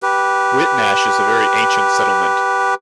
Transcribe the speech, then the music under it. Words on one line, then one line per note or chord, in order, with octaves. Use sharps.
Whitnash is a very ancient settlement.
G4 B4